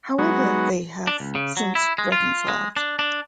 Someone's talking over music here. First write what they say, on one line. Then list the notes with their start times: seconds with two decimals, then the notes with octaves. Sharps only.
However, they have since reconciled.
0.18 F#3 G#3 B3 D#4 F#4
1.07 D4
1.20 C#2
1.35 C#3
1.57 F#3
1.75 E4
1.98 G#3
2.12 F4
2.48 G#3
2.77 D4
2.99 D4